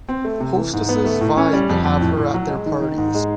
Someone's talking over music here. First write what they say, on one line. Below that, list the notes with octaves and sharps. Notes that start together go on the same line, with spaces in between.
Hostesses vied to have her at their parties.
C4
A3
C3
E3
G#2
B3
A3
A2
C#4
G3
F2
F2
A2
A2
F#3
G#3
D#3
D#3
G#2
G#3